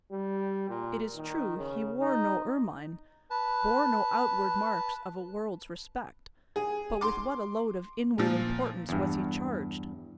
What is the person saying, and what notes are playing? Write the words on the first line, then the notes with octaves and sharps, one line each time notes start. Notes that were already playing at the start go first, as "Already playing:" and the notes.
It is true he wore no ermine, bore no outward marks of a world's respect; but with what a load of inward importance was he charged!
G3
A#2
D#3
C#3
D#4
B4 A5
G#4
C6 D6
A#2 F3
E2 G2